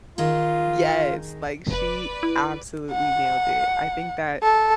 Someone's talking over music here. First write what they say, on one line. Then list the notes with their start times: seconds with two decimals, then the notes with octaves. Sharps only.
Yes, like she absolutely nailed it, I think that
0.18 D#3 D#4 F4 G#4
1.70 F1 B4 D5
2.23 E4
2.91 F#5
4.43 A4